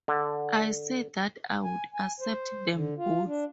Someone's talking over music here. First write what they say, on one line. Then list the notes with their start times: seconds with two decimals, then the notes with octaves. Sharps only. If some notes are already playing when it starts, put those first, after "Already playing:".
I said that I would accept them both.
0.08 D3
1.64 G#5
1.94 G#5
2.20 C5
2.73 D3
2.97 F4
3.26 D4